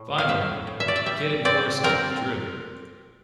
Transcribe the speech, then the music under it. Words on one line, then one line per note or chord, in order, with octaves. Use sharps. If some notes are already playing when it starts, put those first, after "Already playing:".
Finally, Khitan forces withdrew.
Already playing: A2
F5
A2 E5
A2
E5
D5
E5
G3 E5
C4 D5
C4 A#4